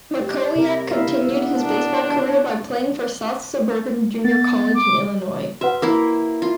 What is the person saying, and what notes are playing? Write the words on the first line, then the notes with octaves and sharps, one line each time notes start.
Mackowiak continued his baseball career by playing for South Suburban Junior College in Illinois.
G4
C3 A#4
E4 E5 F5
B3
D4 A#4
B3 A6
D6
F#4 B4 E5 F#5
A#3 E4
F4